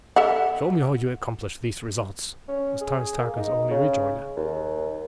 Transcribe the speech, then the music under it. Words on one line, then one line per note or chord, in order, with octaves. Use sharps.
"Show me how you accomplish these results," was Tars Tarkas' only rejoinder.
A4 E5 F#5
C#4
G#4
A#3
D#4
C#3
D#2